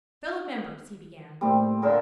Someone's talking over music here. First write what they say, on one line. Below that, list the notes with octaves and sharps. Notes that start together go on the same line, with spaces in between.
"Fellow members," he began.
A2 G3 A#3 C4
A#2 D3 G#4 A#4 E6